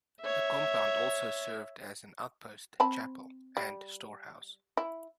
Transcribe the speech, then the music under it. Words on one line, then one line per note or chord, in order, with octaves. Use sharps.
The compound also served as an outpost, chapel, and storehouse.
C#5 E5
C4 A5 B5
G3
E4